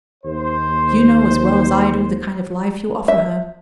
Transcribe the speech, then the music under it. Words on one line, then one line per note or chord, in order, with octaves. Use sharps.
You know as well as I do the kind of life you offer her.
D#2 C5
E5